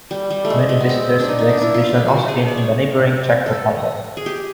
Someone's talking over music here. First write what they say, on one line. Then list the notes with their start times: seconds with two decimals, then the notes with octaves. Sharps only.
Many visitors of the exhibition also came from the neighbouring Czech Republic.
0.11 G3
0.31 G3
0.45 A3
0.50 G#3
0.69 G#3
0.80 B3
0.89 C4
1.20 D4
1.28 D#4
1.39 D#4
1.49 D4
1.62 E4
1.74 F4
1.89 F4
2.08 F#4
2.17 G4
2.28 G#4
2.38 C5
2.48 D5
2.57 C#5
3.46 A4
4.17 G#4
4.26 G4